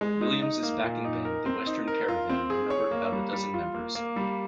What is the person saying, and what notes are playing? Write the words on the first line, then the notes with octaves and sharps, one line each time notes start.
Williams' backing band The Western Caravan numbered about a dozen members.
G#3
D#4
D#4
A#3
A#2
D#4
A#4
C4
D#4
A#4
F4
C4
G#4
C#5
A#3
G3
G3
F4
A#3
A#3
G3